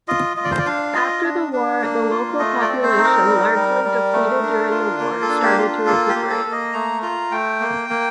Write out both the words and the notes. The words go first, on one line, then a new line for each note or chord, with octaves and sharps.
After the war the local population, largely depleted during the war, started to recuperate.
F4 D#5
F4 D#5
D5
C5
D5
D4 F5
F4 D#5
D4
D4
A#3
F4
A3 D#5
D5
C4
C5
D#4
A#4
G3
G3
G3
A3
D4
F4
A#3 A#4
A4
D4
G4
F4
A#3 A4
G4
A#3
A4
A#3
D#5
A3 A#5
F4 A#5
A3 G5
A#3
A#3